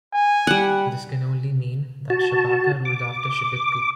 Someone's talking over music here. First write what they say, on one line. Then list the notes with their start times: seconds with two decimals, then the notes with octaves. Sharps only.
This can only mean that Shabaka ruled after Shebitku.
0.13 G#5
0.47 G3 F#5
2.10 F#4 A5
2.85 D6